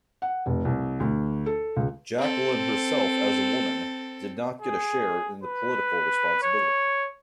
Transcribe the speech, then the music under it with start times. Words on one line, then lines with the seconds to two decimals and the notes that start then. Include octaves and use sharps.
Jacqueline herself as a woman, did not get a share in the political responsibility.
0.22 F#5
0.46 F1
0.65 C2
1.00 D2
1.46 A4
1.76 C#2
2.18 C4 A4
4.62 G#4
5.43 B4
6.42 C#5